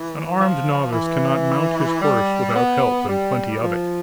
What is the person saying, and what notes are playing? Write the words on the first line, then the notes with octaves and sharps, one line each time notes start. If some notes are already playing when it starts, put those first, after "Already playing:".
An armed novice cannot mount his horse without help and plenty of it.
Already playing: E3
F3
E3
G3
B3
G3
F3